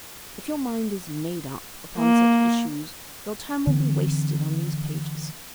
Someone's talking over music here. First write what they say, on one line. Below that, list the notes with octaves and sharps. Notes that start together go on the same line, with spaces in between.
If your mind is "made up" upon such issues your time will be wasted on these pages.
A#3
D3 E3 C4